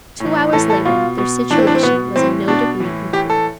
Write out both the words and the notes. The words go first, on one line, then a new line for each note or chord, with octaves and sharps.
Two hours later, their situation was in no degree improved.
A2 E3
A2 E3 A4
A4
B2 F4
B2
A2 E3 D4
C4
D4
C4
B2 B3
A2 E3 C4
B2 D4
A2 E3
A2 E3 G4
A4